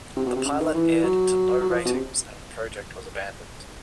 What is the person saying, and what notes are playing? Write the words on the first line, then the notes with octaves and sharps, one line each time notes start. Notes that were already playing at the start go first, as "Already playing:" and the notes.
The pilot aired to low ratings and the project was abandoned.
C3
B2
C3
C#3
D#3
E3
F#3
F#3
F3
B2
C3